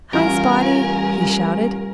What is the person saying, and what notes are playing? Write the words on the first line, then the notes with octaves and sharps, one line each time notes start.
"Hi, Spotty!" he shouted.
A1 G3 F4 A#4 G#5 F6